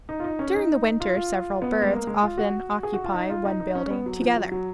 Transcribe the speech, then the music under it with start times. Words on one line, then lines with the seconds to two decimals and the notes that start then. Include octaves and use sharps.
During the winter several birds often occupy one building together.
0.09 D#4
0.20 F4
0.24 D#4
0.39 C#4
0.55 D#4
1.00 F4
1.16 F4
1.62 B3
1.82 G#3
1.92 A#3
2.07 G#3
2.22 F4
2.38 F#4
2.83 G#4
2.93 F#4
3.04 F4
3.14 D#4
3.30 F4
3.45 D#4
3.60 D#4
3.75 C#4
3.90 B3
4.06 F#3
4.22 F3
4.36 F#3
4.52 F#3